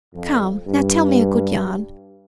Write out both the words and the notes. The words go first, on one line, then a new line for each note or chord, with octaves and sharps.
Come, now, tell me a good yarn.
F2
G2